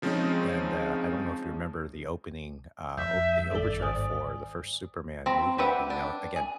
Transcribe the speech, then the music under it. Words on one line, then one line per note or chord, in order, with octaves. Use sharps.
and, uh, I don't know if you remember the opening, uh, o the overture for the first Superman movie, you know, again,
C#3 F3 G#3 C4 C#4 D#4
F2 E5 G6
G#1 G2 A4 D5 G7
C5 G#5 D#6
C4 A#5 B5
G4 B4 E5 F#5
D4
G#4